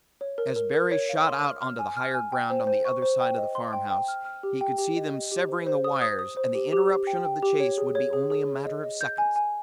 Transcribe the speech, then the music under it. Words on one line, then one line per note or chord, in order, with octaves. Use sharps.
As Barry shot out onto the higher ground on the other side of the farmhouse he could see them severing the wires and the interruption of the chase would be only a matter of seconds.
C#5
A#4
A#4
A#4
C#5
F5
C6
F6
F6
G#5
F6
G#5
G5
C5
C5
C#6
C5
G5
D#5
C6
G5
G5
F6
F6
G4
G5
G4
D#5
D#5
G4
C5
C5
D#6
D#6
D#6
C5
G4
G4
G4
G5
G5
G4
C#5
G#4
C#5
G#4
G#4
C#5
D#5
D#5
G6
G#5
G#5